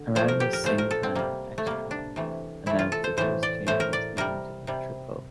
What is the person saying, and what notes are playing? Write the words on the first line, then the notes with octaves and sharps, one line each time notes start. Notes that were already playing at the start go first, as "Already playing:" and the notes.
Around this same time, Exatron announced that it was changing its name to Entrepo.
Already playing: D3
A#2 F3 A3 C5
A#4
G4
A#4
A#2 F3 A3 C5
A#4
A4
C4
C3 G3 A#3
A3
C3 G3 A#3
D4
C3 E3 A3
C3 E3 A3 E4
F4
A4
C5
A2 E3 A3 C5
D5
A2 E3 A3 C5
A#4
D5
C3 G3 A#4
C3 G3